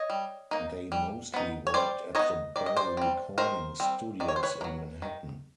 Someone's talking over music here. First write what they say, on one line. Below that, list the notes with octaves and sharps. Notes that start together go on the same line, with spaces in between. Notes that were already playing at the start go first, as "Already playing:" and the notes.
They mostly worked at the Bell recording studios in Manhattan.
Already playing: C#5 D#5
G3
A#3 D#4
G3
B3 D#4
C#5
G3 C5 D5
B3 D#4 C#5 D#5
D#3 D5
D#5
C5 D5
G3 C4
D#3 A#4 C5
G3 C4
D#3 D5
C#5
C5
B4 C#5
A#3
F#3
D#3